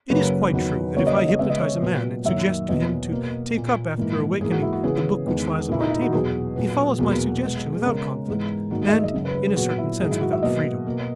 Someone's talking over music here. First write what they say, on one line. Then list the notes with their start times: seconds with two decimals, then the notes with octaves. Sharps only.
It is quite true that if I hypnotize a man and suggest to him to take up after awaking the book which lies on my table, he follows my suggestion without conflict and in a certain sense without freedom.
0.10 F#2 C#3 F#3 A#3 B4
0.52 E2 D#3 F#3
0.96 C#3 F#3 A#3 C#5
1.07 D#5
1.17 D#5
1.29 D#5
1.39 C#3 G#3 B3 E5
1.50 D#5
1.60 C#5
1.82 A#2 F#3 B3
2.25 F#2 D#3 F#3 A#3 E5
2.69 E2 B2 A#3 D#5
3.11 B2 A#3
3.54 A#2 A#3
3.98 G#2 E3 A#3
4.41 G#2 E3 A#3 G#4
4.52 F#4
4.62 E4
4.73 F#4
4.84 C#3 E3 B3 G#4
5.26 E2 D#3 G#3
5.69 A#2 A#3 E4
5.80 D#4
5.91 E4
6.02 F#4
6.12 E2 B2 F#3 G#4
6.56 A#2 F#3 B3
6.98 E2 B2 F#3 A#3 G#4
7.41 B2 G#3 B3
7.73 G#4
7.84 C#3 G#3 B3 A#4
8.27 G#2 E3 G#3 B3
8.70 G#2 D#3 A#3 F#4
8.81 G#4
8.88 E5
8.92 D#5
9.04 D#5
9.14 F#2 C#3 F#3
9.25 B4
9.35 B4
9.47 G#4
9.56 A#2 F#3 B3 F#4
9.78 E4
10.00 G#2 D#3 F#3 G#4
10.11 E4
10.21 F#4
10.33 E5
10.43 B2 F#3 A#3 D#5
10.87 B2 A#3